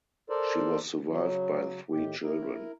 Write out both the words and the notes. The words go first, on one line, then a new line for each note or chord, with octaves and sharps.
She was survived by three children.
A4 A#4 C5 D5
C#3 F#3
A2 D#3 G4
E4 A#4